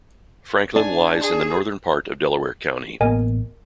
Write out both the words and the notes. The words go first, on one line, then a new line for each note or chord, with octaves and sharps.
Franklin lies in the northern part of Delaware County.
D4 G#5
G#4
A1 A#3 B3 A#4 D#5 G#5